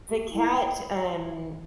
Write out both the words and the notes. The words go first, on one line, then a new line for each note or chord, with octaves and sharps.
the cat, um,
G4
E4
G5